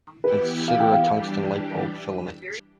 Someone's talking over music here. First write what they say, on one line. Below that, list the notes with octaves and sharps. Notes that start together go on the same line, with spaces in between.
Consider a tungsten light-bulb filament.
E3 B3 E4 G4 B4
F5
G5
F5
E3 G3 D4 G4